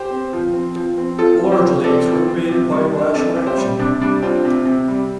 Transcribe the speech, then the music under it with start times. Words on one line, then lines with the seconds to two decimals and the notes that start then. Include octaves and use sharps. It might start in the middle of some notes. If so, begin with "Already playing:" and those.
Large lakes were created by glacial action.
Already playing: G4 C5
0.11 C4
0.33 F3
0.54 C4
0.76 F3
0.98 C4
1.19 F3 F4 A4
1.41 C4
1.52 G4 C5
1.63 F3
1.84 C4 A4 D5
2.06 F3
2.28 C4
2.49 C3
2.71 G3
2.93 D4
3.14 C3 A4 D5
3.36 C3
3.46 G4 C5
3.58 G3
3.79 C3 D4
4.01 G3 D4
4.22 C4 D4 F4
4.45 C3
4.66 C3
4.88 G3